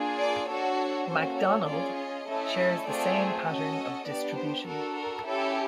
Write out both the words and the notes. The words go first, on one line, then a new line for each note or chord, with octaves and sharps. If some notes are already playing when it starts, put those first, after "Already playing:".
"McDonald" shares the same pattern of distribution.
Already playing: A#3 D4 F4 G#4
D5
D4 F#4 A4 C#5
A#3 C#4 F#4 A4 C5
C#5
C#4 F4 G#4 D5
D#5
A3 C#4 E4 A4
A3 C4 F4 G#4 D5
C#4 F#4 A4 D#5
B3 D4 G4 D5
C5
D4 F#4 A4 A#4
A#4
C#4 E4 G4 A4